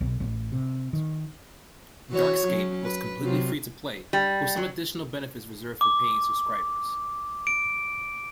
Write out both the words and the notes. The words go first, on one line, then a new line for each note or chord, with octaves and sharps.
"DarkScape" was completely free to play, with some additional benefits reserved for paying subscribers.
B1
A1
C3
D#3
E3 F#4 C#5
F#3 C#4
B4
C3 F#3 F4
G3
F#3
D6
D7